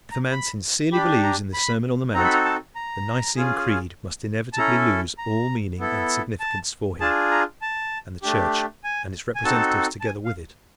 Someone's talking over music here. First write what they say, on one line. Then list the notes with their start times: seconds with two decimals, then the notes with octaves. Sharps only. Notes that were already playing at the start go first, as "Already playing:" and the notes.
If a man sincerely believes in the Sermon on the Mount, the Nicene Creed must inevitably lose all meaning and significance for him, and the Church and its representatives together with it.
0.11 A#5
0.32 B5
0.92 D4 G4 B5
1.23 A#5
1.54 B5
2.14 C4 D#4 F#4 A4 A#5
2.24 B5
2.33 A#5
2.45 A5
2.75 A#5
3.36 C#4 F4 G#4
4.53 A5
4.58 C#4 E4 A4 A#5
5.18 A#5
5.79 B3 E4 A4
6.40 A5
7.00 D4 F4 G#4 A5
7.31 A#5
7.62 A5
8.23 A3 D4 G4
8.84 G#5
9.35 G#5
9.44 C4 D#4 F#4 A4 A5
10.01 A5
10.05 G#5
10.25 F5